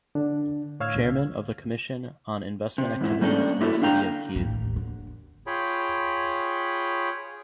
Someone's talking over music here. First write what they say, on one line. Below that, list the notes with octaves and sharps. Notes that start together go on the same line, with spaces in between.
Chairman of the Commission on Investment Activities in the City of Kyiv.
D3 D4
A2 C#5 F5 E6 F6 G#6
C#2 A#2 D3
C3
E2 G#2 E4
G3 A#3 C#4 D4 A4
A#3 E4 F#4 G4 A4
D3 D4 F5 G5 A#5
A1 D#2
D3
F4 G#4 C#5 G5 B5